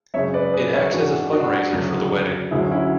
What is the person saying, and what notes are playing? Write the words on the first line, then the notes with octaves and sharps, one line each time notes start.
It acts as a fundraiser for the wedding.
F#2 C#3 G#3 C#5 E5
B4 D5
G#4 B4
C#5 E5
G#2 E3 G#3 D4 F#4
D4 F#4
D2 C#3 F#3
D2 D3 F#3 E4 G#4
C#4 E4